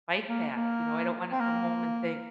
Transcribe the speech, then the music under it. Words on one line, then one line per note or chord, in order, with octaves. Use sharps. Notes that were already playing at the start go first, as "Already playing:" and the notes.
bike path. You know, I don't wanna come home and think,
A#3
A#3
C4
A#3